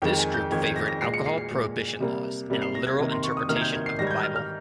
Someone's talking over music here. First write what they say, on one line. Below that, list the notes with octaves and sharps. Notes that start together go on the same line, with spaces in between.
This group favored alcohol prohibition laws and a literal interpretation of the Bible.
F2 D#3 G#3 G5
G#5
G6
F2 D#3 G#3 G#6
G#6
A#6
A#6
A#2 G#3 C7
C#7
C7
C7
A#2 G#3
C3 G3 A#3
C3 G3 A#3
C7
A#6
G#6
C3 D#3 A#3
C6
C#6
D#6
C3 D#3 A#3 F6
G#6
G6
G#6
C7
G#2 D#3 G3 A#6
G#6
G6
F6
F6